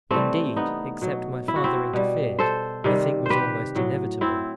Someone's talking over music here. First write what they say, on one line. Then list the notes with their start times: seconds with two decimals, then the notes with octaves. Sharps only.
Indeed, except my father interfered, the thing was almost inevitable.
0.11 C3 E3 G3 A3 C4
0.56 B3 D#4
1.02 B2 F#3
1.48 E4
1.56 F#4
1.64 C4 E4
1.93 B2 G3
2.39 A4 C5
2.84 C3 D#3 G3
3.26 G4 B4 C5
3.75 A2 F#3
4.21 C4 E4